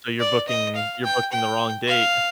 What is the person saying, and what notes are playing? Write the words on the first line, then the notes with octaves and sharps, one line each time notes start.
So, you're booking you're booking the wrong date.
D5
D#5
F5
G5
G5
F5